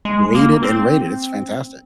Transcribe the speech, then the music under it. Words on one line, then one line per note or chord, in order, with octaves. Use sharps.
rate it and rate it, it's fantastic.
G#3
A#3
C4